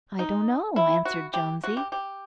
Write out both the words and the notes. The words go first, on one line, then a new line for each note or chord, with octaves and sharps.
"I don't know," answered Jonesy.
D#4
E4
F#4
G4
F#4
G4
G4